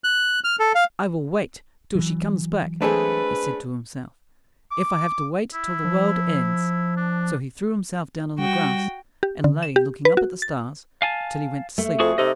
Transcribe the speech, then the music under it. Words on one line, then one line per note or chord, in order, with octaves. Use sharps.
"I will wait till she comes back," he said to himself, "if I have to wait till the world ends." So he threw himself down on the grass and lay looking up at the stars till he went to sleep.
F#6
F6
A4
F5
E3 F#3
G#3 A3 C4 D4 G#4 B4
D6
E4
F3
D4
G3 F#4 G5
G4
D3
E7
G4
B4
F#4
A6
F5 G#5 A5
A3
F2 F#4 G#4
C3 D#4 A4 D#5